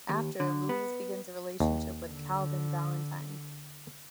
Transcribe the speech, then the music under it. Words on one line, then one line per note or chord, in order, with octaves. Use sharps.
After, Louise begins a relationship with Calvin Valentine.
D#2
D3
B3
D#2
D3